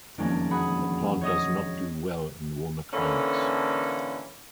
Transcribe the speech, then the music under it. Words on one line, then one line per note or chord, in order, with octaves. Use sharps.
The plant does not do well in warmer climates.
E1 F2 D#3 A#3 C#4 D4
G#4 F#5 B5
C#5 D#5 D#6
D3 E3 A#3 C#4 A4